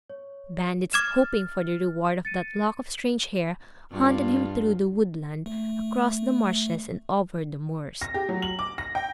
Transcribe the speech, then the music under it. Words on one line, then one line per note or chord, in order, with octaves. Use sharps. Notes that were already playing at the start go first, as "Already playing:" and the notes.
Bandits, hoping for the reward of that lock of strange hair, hunted him through the woodland, across the marshes, and over the moors.
C#5
D6 F6 G#6 A6 E7
A6 C#7 D#7
G2 F4
A3
A#6
G4
F#3
F#7
D6
A#6
G5